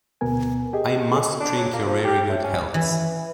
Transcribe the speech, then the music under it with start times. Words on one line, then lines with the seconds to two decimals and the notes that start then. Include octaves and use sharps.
I must drink your very good healths.
0.21 D2 B2 B3 A#4 G#5
0.73 G4 G#4 D#5
1.12 G#4 A4 D#5
1.40 D4
1.57 F#3
1.73 A#3
1.86 F3
2.05 G4
2.29 A2
2.43 C#4
2.74 E3